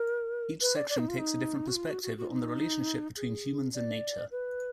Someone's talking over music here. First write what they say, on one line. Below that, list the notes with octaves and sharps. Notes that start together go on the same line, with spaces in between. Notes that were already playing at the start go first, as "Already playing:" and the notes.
Each section takes a different perspective on the relationship between humans and nature.
Already playing: A#4
B4
D5
D5
D#4
F4
D#4
F#4
F4
F#4
F#4
F#4
F4
D#4
G#4
D5
B4